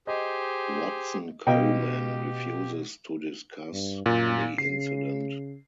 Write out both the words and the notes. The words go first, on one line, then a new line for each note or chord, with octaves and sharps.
Watson-Coleman refuses to discuss the incident.
G4 G#4 C5 D#5
B2 G4 D#5 F5 G5
G2
F#2 A#2
C#3 C7